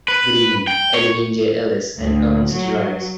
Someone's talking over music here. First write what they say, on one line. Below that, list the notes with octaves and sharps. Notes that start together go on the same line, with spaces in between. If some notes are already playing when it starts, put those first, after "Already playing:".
Greene, Edwin J. Ellis, and Ernest Rhys.
B4
G5
C#5
D2
F#3